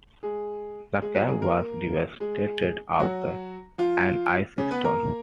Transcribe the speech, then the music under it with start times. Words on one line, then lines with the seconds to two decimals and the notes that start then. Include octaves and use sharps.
The camp was devastated after an ice storm.
0.23 G#3 G#4
1.02 G#3 G#4
1.15 F#3 F#4
1.28 G#3 G#4
1.41 A#3 A#4
2.20 G#3 G#4
3.00 F#3 F#4
3.78 F3 F4
4.58 C#3 C#4
4.71 B3 B4
4.84 A#3 A#4